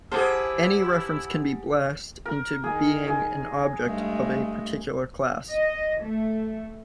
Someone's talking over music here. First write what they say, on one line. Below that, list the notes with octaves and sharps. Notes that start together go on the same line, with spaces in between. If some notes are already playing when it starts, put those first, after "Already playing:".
Any reference can be blessed into being an object of a particular class.
E4 G4 G#4 C5 F#5 A5 F6
A#4
D#3 G#4
G#4
G2 G#3 A3
D#5
A3